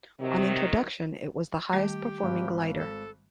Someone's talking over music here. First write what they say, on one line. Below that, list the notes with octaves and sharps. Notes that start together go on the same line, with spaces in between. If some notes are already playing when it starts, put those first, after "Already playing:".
On introduction it was the highest performing glider.
C3 D#3 F#3
D#3 G3 A3 G4
G#1
A4